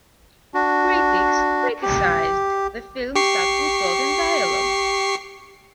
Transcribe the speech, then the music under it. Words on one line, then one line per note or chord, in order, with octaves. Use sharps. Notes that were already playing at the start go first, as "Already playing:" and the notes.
Critics criticized the film's acting, plot, and dialogue.
D4 F#4
G4
G4 C#6 C7